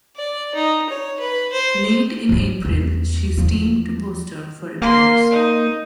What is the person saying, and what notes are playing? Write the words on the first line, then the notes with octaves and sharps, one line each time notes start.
Late in April, she steamed to Boston for repairs.
D5
D#4
C#5
B4
C5
F3 F#3
E2
E2 F3
A#3 C6
D#4